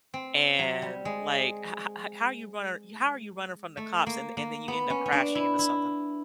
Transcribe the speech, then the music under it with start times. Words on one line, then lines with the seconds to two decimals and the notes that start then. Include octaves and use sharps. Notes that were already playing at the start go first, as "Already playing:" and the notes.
and, like, "Ho ho how are you runnir how are you running from the cops and and then you end up crashing into something?"
0.14 C4
0.59 F#3
0.82 G3
1.05 G#3
3.77 A3
4.07 A#3
4.37 A#3
4.68 B3
4.90 C#4
5.06 C#4
5.12 D4
5.35 E4
5.59 E4